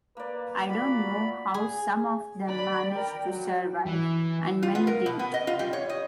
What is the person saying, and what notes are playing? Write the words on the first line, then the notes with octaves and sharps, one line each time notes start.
I don't know how some of them managed to survive; and many didn't.
A#3 B4 D5
A#2 F#4 D5 B5
G#4
D5 B5
A#4 G5
F#3
E3
F4
B3
A#4
B2
B3
D#5
F4
G3
C#5
D#5